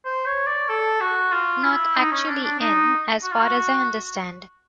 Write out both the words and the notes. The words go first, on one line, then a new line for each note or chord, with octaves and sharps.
Not actually in, as far as I understand.
C5
C#5
D5
A4
F#4
F4
E4
D#4
C#4
D4
D4
D#4
F#4
F4
F#4